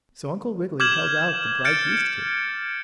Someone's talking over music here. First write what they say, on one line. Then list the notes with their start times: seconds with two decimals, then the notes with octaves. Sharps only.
So Uncle Wiggily held out the bright yeast cake.
0.80 D6 F6 G6 G#6 E7 F#7
1.64 F6 G6 A6 C#7 D7